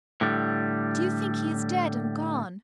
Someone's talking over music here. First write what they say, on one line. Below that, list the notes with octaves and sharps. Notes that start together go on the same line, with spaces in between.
"Do you think he is dead and gone?"
A2 D3 G3